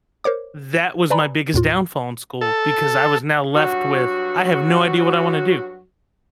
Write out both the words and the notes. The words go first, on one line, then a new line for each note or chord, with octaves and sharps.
that was my biggest downfall in school because I was now left with, I have no idea what I wanna do.
A#4 C5 C#5 D6
B4 D5 G#5 A#5 B5
D#2 A2 F4
A4
G2 F#3 F#4